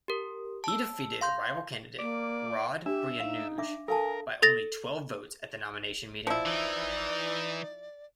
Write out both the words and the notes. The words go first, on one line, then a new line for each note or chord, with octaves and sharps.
He defeated rival candidate Rod Bruinooge by only twelve votes at the nomination meeting.
G4 A#4
A5 E6
F5 C6 G6
A#3 D5
D4 G4 E5
D#4 F5
D4 E5 D6
A4 A#4 F5 G#5 A5
A4 A6 A#6
F3 E4 D5
E3 D#4